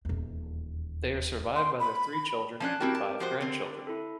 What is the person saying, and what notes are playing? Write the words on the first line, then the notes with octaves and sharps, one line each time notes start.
They are survived by their three children and five grandchildren.
D#1 E2
C6
B5
F3 C#4 D4 A5 F#6
C4 E4 F#4 G4 A#4 G5
A5
F3 F#4 C5
D3 C4
E4 A4